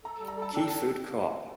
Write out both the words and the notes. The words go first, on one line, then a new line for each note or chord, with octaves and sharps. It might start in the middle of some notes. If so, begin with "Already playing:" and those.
Key Food Coop.
A4 A#5
G3
A#5
A4
A5
D4 G5
A4 A5